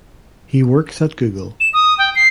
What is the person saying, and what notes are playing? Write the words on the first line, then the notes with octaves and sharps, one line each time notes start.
He works at Google.
E7
D#6
G5
C7